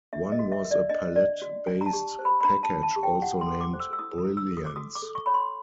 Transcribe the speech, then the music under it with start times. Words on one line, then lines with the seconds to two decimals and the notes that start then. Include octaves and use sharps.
One was a palette-based package also named "Brilliance".
0.13 D4 E5
0.32 D#5
0.39 F#4
0.52 E5
0.65 A#4
0.71 D5
0.90 D4 D#5
1.16 D4 D5
1.42 F#4
1.67 D4 G#5
1.81 A#5
1.86 A5
1.93 G4
2.19 C5
2.25 B5
2.41 B5
2.44 D4 A#5
2.63 A5
2.71 D4
2.83 A5
2.96 G4
3.03 G5
3.22 E4 F#5
3.41 C6
3.47 A4
3.61 D6
3.73 C5
3.80 E6
3.93 E6
3.99 E4 D#6
4.18 D#6
4.24 E4
4.37 E6
4.51 A4
4.57 D#6
4.66 D6
4.76 F#4 D#6
4.95 D6
5.02 A4
5.15 C#6
5.26 C#5 B5
5.34 C6